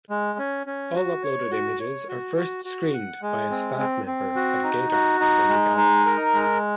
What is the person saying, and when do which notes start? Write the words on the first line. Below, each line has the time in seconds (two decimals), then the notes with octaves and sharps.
All uploaded images are first screened by a staff member at gaydar for legality.
0.10 G#3
0.39 C#4
0.67 C#4
0.95 F#4
1.23 C#5
1.51 F#4
1.80 C#5
2.08 F#4
2.37 F#4
2.65 F#4
2.94 F#5
3.22 G#3
3.51 C4
3.79 C4
4.07 C4
4.36 F#4
4.64 D#4
4.92 F#4
5.20 D#4
5.49 G#3
5.77 D#4
6.06 A#4
6.34 G#3